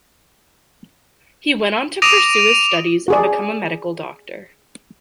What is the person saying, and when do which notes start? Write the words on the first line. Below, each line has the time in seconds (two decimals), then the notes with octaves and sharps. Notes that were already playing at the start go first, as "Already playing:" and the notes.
He went on to pursue his studies and become a medical doctor.
2.02 D6 D#6 A#6 D7 D#7 F7
3.08 F#4 G#4 D5